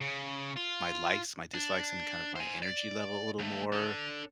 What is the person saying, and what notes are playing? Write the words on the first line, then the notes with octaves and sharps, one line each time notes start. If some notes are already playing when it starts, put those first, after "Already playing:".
my likes, my dislikes, and kind of my energy level a little more.
C#3
F4
D4
C5 G#5
D5
D#2 A3
D4 A4